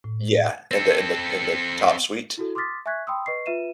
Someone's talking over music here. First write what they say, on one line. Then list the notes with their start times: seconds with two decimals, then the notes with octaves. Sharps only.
Yeah, in the in the in the top suite,
0.04 A2
0.71 C4 A4
2.37 E4 F#4 A4
2.55 C6 D6 D#6 F6 A6 B6
2.86 E5 G#5 C#6 F#6 G#6 B6
3.07 G5 B5 C6 D#6 E6
3.26 B4 D#5 C#6 C7
3.46 F4 B4 E5 D#7 E7